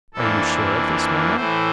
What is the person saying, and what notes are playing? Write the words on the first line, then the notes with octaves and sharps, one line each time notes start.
"Are you sure of this, Mona?"
F2 E3 A#3 D4 A4
A2 E3 A3 C5